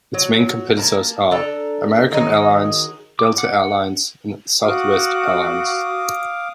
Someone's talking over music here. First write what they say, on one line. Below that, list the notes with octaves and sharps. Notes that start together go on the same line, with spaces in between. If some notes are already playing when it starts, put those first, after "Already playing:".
Its main competitors are American Airlines, Delta Air Lines, and Southwest Airlines.
F#3
A#3 A5
D4 A4 A#5
D#3 F#3 G#3 D#4
D6
F#5
F#4 F5 D6 D#6